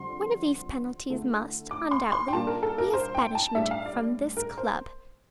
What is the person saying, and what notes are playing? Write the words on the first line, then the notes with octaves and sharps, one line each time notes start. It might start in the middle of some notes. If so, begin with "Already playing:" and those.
One of these penalties must, undoubtedly, be his banishment from this club.
Already playing: F2 D3 G3 C6
D3 A3 E4
D6
C6
C6
G5
A#2 G3 A#3 D4 A5
A#4
A4
A#4
C5
G5
A5
A2 G3 D4 E5
F5
D5
A#4
C5